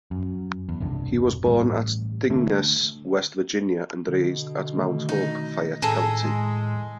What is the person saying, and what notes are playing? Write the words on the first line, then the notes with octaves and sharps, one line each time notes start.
He was born at Dingess, West Virginia and raised at Mount Hope, Fayette County.
F#2
E2
E1 C2 G2
A1 G3
D3 A3
B2 D3
D#3 A3
D#4
A2 G#4 A4 A#5
G#3